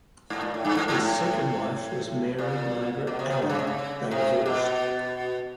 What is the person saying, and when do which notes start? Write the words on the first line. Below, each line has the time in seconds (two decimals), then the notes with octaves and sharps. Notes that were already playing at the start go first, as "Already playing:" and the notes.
His second wife was Mary Margaret Allen; they divorced.
0.30 G#2
0.42 A#2
0.54 A2
0.65 G2
0.77 G#2
0.88 G#2
1.00 A2
2.38 A#2
3.07 B2
3.19 C3
3.30 C3
3.42 D3
3.50 C#3
3.59 C3
3.67 C#3
4.11 C3
4.46 B2